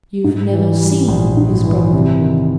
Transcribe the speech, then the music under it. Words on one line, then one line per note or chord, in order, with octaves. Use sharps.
"You've never seen his brother?"
G#2
E3
G3
A#1
G#2
E3
C3
D#3